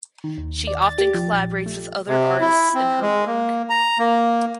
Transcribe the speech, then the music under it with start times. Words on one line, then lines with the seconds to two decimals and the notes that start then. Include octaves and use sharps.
She often collaborates with other artists in her work.
0.24 D#3
0.38 D#2
0.67 D5
0.82 A6
0.98 G4
1.14 F3
1.33 A#1
1.66 A3
2.08 C3
2.40 E4
2.75 C4
3.02 G#3
3.27 A#3
3.69 A#5
3.99 A#3